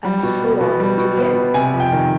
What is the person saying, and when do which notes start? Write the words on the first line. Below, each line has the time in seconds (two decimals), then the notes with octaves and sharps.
And so on to the end.
0.05 G3
0.23 B2
0.42 B3
0.61 B2
0.80 G3
0.98 B2
1.17 B3
1.36 B2
1.54 C3 G#5
1.74 F2
1.80 G5
1.92 D#3